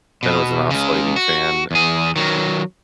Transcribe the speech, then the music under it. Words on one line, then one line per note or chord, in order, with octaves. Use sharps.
then it was an oscillating fan.
B2
C#2 C#3
F#4
E2 G#4
D#3 F#3